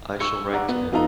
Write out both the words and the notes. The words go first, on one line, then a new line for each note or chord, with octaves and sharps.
I shall write to him.
C#6 E6 C#7
D5 F#5 A#5
B3
F2 B3 D#4 F4 A4 A#5